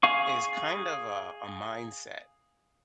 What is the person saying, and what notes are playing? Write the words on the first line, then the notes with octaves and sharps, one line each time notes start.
is kind of, uh, a mindset.
G#4 F5 C#6